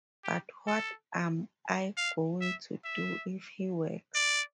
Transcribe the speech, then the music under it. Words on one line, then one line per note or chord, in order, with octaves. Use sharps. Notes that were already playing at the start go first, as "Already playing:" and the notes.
But what am I going to do if he works?
G4
A4
F5
E5
E5
D5